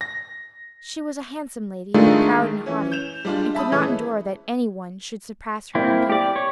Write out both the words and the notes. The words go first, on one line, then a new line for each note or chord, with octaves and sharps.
She was a handsome lady, but proud and haughty, and could not endure that any one should surpass her in beauty.
A#6
D#3 G#3 A3 D4 D#4 F4
E3 C#4
G6 E7 F7
G3 G#3 D4 F4
E5 A5 B5 D#6
E3 G#3 A3 C#4
A#3 C4 E4
G4 D5
C#5